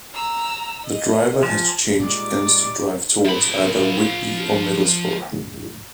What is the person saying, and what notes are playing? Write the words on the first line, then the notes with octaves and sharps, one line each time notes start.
The driver has to change ends to drive towards either Whitby or Middlesbrough.
A#5 E6
D#5
F3 G#5 A5
A#2 G3 G#3 D#4 D5
F3 B5